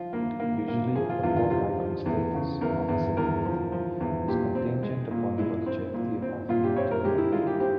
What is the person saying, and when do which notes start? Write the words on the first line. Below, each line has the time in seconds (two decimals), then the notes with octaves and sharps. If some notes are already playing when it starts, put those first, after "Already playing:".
Usually, the pop icon status of a celebrity is contingent upon longevity of notoriety.
Already playing: F3 F4
0.13 A#3
0.40 A#3
0.68 A#3
0.95 F3 G#4
1.09 F4
1.23 E2 F4
1.36 F4
1.50 C3 F4
1.79 F3
2.06 E2
2.34 C#3
2.61 E2 A#4
2.89 E2
3.17 E2 A#4
3.45 F3
3.72 F3
4.01 E2
4.28 A#2 G4
4.55 C4
4.83 G#3
5.11 A#2
5.38 G#3 E4
5.66 C4
5.94 A#2
6.22 C4
6.49 A#2 F4
6.64 G4
6.76 C4 C#5
6.91 A#4
7.04 G#3 G4
7.18 E4
7.32 G#3 F4
7.47 G4
7.60 C4 G4